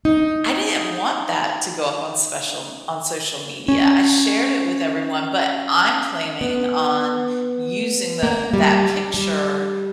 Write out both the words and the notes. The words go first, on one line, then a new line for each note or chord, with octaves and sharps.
I didn't want that to go up on special on social media. I shared it with everyone, but I'm planning on using the that picture.
D#4
C#4
B3
A#3
G3
G3